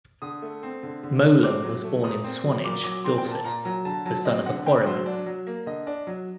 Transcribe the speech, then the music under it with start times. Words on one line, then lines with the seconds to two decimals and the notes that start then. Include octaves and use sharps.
Mowlem was born in Swanage, Dorset, the son of a quarryman.
0.22 D3 D#6
0.42 A3
0.63 C4
0.83 D3
1.03 D3
1.23 A3
1.43 C4 D6
1.63 F#3
1.83 A3
2.04 A#2 D#6
2.24 C4
2.44 F#3
2.64 A#2 D6
2.84 F#3 D6
3.04 C4 C6
3.18 G5
3.24 A#2
3.31 A5
3.44 A#2 A#5
3.65 F#3 A#5
3.85 D3 A5
4.05 F#3 A5
4.25 C4 D#5
4.46 D3 F#5
4.66 D3 G5
4.86 F#3 C5
5.06 D4
5.26 F#3
5.47 A#3
5.66 D3 D#5
5.87 D4
6.07 F#3